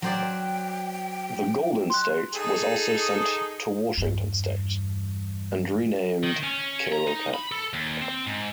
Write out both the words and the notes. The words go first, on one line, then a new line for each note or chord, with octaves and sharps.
The "Golden State" was also sent to Washington state and renamed "Kehloken".
F#3 C5 D5 G5
C6 F#6
D#4 G#4 A4
E2 G2
D#3
C#4
A#5
D#4
B5
A4
D#2
C4
G#2